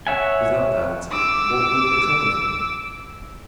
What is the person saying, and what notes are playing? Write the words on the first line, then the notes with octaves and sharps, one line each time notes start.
"Without that, what would become of me?"
C#5 E5 F#5 G#5
D6 E6